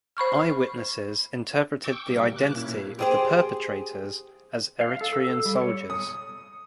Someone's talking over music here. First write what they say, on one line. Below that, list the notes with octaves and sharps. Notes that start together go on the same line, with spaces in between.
Eyewitnesses interpreted the identity of the perpetrators as Eritrean soldiers.
C5 B5 C#6 F6
G5 C#6 D6 E6
C3 G3 A#3
B2 D6 F#6
A#2 A#3 C#4 E4
G4 G#4 C5
F5
A4
E6
A4
G3
C#5
D#6